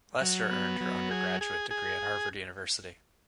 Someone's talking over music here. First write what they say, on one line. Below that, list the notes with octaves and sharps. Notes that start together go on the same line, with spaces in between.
Lester earned her undergraduate degree at Harvard University.
F#3
B3
F#3
G#4
G#4
G#4